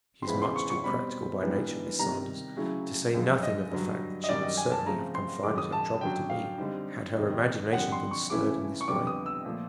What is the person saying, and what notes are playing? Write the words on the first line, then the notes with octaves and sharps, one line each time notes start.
She's much too practical by nature, Miss Saunders, to say nothing of the fact that she would certainly have confided her trouble to me, had her imagination been stirred in this way.
C6
E2 C#3 E3 G#3 C4 B5
C6
C#6
C#6
B2 G3 C4 B5
G#2 E3 G3 B3 D4
C3 D#3 G3 A#5
C#3 F#3 A3 C#4 E4
F#2 D3 F3 G#3
D#5
G2 D3 F#3
D#5
F#2 D#3 G3 D5
D#5
G#5
A5
C#3 F3 A3 C4 A#5
C6
F#2 D#3 G#3 D6
D#6
A5
F#2 D3 F#3 G5
F5
D3 G3 C4 D#4
F2 C3 D#3
F2 D3 G3 F#5
C6
C#6
C#3 E3 A3 C#4 E4 D6
C#6
F2 D3 G3 B3 D6
D#6
E6
A#2 F3 A3